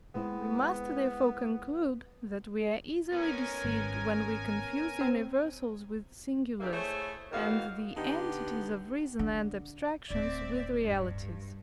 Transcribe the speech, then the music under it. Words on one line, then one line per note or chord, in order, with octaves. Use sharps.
We must therefore conclude, that we are easily deceived, when we confuse universals with singulars, and the entities of reason and abstractions with realities.
G#3 B3 C4 E4
B3 C#4 A#4 G#5
G#1
C4
G#2 E3 A#3 D4 G4
A3 E4 G#4 C5 C#5
E2 G#2 D#3 F#4 F5
D3 B3 D#4 G4
D3
D1 C4 D5 E5
G2